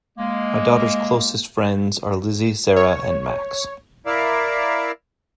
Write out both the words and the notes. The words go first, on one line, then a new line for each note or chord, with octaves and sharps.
My daughter's closest friends are Lizzie, Sarah and Max.
G#3 A#3
C#5
E4 A#4 D5 E5 F5